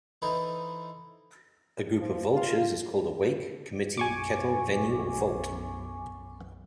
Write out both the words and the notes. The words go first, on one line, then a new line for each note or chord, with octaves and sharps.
A group of vultures is called a wake, committee, kettle, venue, or volt.
E3 C4 D#4 E4 A4
F3
F4
B1 F#2 G#5 C#6 D6